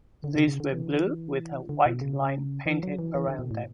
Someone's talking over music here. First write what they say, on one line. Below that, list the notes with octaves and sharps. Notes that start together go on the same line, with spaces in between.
These were blue with a white line painted around them.
D3
C#3
C#3
D3
E3
D3
B2
C#3
E3
F#3
E3
E3
D3
B2
A2